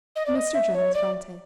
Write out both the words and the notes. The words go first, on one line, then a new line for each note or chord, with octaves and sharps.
Mr Jones grunted.
D#5
D5
D#5
E5
C#5
D5